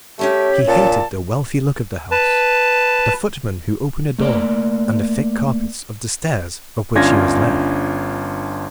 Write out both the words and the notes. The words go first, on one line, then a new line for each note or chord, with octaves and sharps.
He hated the wealthy look of the house, the footman who opened the door, and the thick carpets of the stairs up which he was led.
C#3 A3 C#4 G4 E5
A#2 A5
B4 A5
A3 A#3 D5
G1 C#4 D4 F4 G#6 A#6